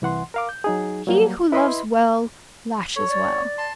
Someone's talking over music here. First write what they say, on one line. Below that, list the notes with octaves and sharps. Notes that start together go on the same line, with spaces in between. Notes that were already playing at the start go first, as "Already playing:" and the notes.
He who loves well lashes well.
C2 E3 F#5 C6
A#4 F5 D6
G6
F#3 D#4 G#4
F#3 G3 A#3
E4 B4 D#5 B5 C6
A4 C#5
D5
A5 C6